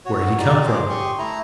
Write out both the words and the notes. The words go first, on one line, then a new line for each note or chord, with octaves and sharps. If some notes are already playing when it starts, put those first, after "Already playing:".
Where had he come from?
F#4 C#5
G3 D#4 D5 A#5
G#4 C5 D6
G4 C6 C#6 D#6
A3 E4 A#5